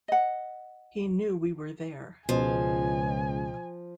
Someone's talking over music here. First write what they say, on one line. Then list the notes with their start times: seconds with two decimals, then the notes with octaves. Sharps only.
He knew we were there.
0.08 D#5 F#5
2.29 C#2 B2 F3 D#5 G#5